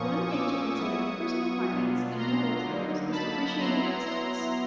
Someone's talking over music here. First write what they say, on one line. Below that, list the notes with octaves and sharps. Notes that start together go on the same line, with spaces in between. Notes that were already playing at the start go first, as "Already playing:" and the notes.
One thing to consider with personal finance and net worth goals is depreciating assets.
Already playing: A#2 F3 A#3 C#4 C#6 D#6
D6 E6
F#3 B3 E4 C#6 D#6
B2 F#3 B3 D4 F4
A#5 C6
D3 F#3 A#3 D#4
A5 B5
F#3 B3 E4 A#5 C6
A#5 C6